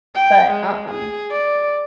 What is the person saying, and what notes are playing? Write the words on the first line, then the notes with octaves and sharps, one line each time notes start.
but, um um,
G5
G#3
G#4
D5